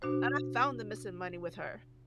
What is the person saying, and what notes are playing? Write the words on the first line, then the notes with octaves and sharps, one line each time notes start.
And I found the missing money with her.
B2 D4 F#4 C5